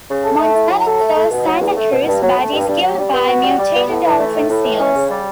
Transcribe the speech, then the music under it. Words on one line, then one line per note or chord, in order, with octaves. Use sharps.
Montana kills Santa Cruz, but is killed by mutated elephant seals.
C#3
A4
A3
E4
F#3
A4
A3
A3
B2
F#3
E2
A3
B2
G2
F#3
A3
G2
G2
F#3
G3
B3
F#4
G3
G3
B3
A2
E3
A3
A2
A2
E3
C#4
C#3
G3